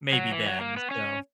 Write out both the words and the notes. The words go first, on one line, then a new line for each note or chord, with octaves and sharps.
Maybe then, so
F#3
E3
F#3
A#3
B3
C#4